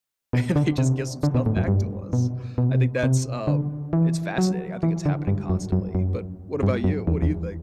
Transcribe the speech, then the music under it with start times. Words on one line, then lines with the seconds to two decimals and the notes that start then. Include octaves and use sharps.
and they just give some stuff back to us. I think that's, um it's fascinating, I think it's happening constantly, but what about you? What do you think?
0.33 B2
0.56 D3
0.78 C3
1.23 D3
1.35 B2
1.46 A2
1.57 F#2
1.68 G2
2.13 B2
2.58 B2
2.69 C3
2.80 B2
3.03 C3
3.47 D3
3.93 E3
4.38 F#3
4.83 E3
5.06 D3
5.27 G2
5.50 F#2
5.72 F#2
5.95 F#2
6.63 G2
6.84 F#2
7.07 E2
7.22 E2